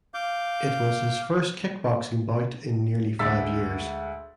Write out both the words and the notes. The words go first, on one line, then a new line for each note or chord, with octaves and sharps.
It was his first kickboxing bout in nearly five years.
F5 D6 G6
D2 G#3 F#5 E6 A6 B6